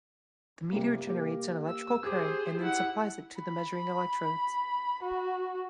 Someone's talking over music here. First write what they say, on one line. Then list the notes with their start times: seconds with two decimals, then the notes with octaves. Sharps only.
The meter generates an electrical current and then supplies it to the measuring electrodes.
0.72 C3 G3 A#3
1.07 A#3 G4 A#4
1.68 E6
2.04 G4 G#4 C5 D6
2.59 E4 F#5
3.40 B5
5.02 F#4